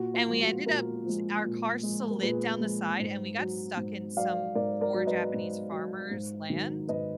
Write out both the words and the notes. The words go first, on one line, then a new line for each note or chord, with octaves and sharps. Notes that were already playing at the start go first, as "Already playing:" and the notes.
and we ended up s our car slid down the side, and we got stuck in some poor Japanese farmer's land
Already playing: A#2 F#4
F4
F3 G#3
F#4
A#2 F#4 A#4
F3 G#3
A#2
F3 G#3
A#4
A#2 G#4 B4
F3 G#3
G#2
F#3
G#2
F#3 D5 F5
G#2 A#4 D5
A#4 D5
F#3
B4 D#5
G#2
F#3
G#2
D#3 F#3
G#2 B4 D#5